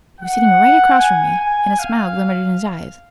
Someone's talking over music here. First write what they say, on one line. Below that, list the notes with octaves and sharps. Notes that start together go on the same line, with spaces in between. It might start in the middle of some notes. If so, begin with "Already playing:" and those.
He was sitting right across from me and a smile glimmered in his eyes.
F#5
G#5
G#5
F5